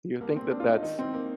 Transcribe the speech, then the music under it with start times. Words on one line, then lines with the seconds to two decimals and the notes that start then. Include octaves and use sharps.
Do you think that that's
0.20 C2 A#3
0.36 A#2 C4
0.51 D4
0.60 F4
0.63 C2 D#4
0.83 D#3 D#4
0.99 D#3 C4
1.14 A#3